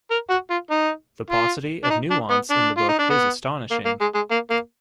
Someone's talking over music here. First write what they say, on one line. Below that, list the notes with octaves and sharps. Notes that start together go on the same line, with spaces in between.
The paucity of nuance in the book is astonishing.
A#4
F#4
F4
D#4
F4
D4
D#4
D4
B3
D4
F4
D#4
D4
B3
A#3
A#3
G#3
G#3
A#3
A#3